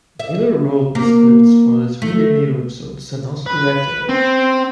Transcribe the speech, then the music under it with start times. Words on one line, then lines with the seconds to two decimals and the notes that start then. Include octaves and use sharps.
Naylor wrote the scripts for the three new episodes and also directed them.
0.19 E5
0.95 A#3
2.02 A3
3.46 B4
4.09 C4